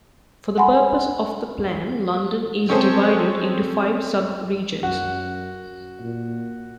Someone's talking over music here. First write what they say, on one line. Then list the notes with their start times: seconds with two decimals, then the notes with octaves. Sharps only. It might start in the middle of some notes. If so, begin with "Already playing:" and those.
For the purposes of the plan, London is divided into five sub regions.
0.58 F#5 G#5 B5 C6
2.69 C4 C#4 G#4 A4 C5
4.83 F#2 F#4
6.01 A#2